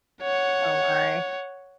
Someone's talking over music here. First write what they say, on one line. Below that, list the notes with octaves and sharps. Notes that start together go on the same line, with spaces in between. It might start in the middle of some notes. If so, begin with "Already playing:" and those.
Oh my.
C#5 F#5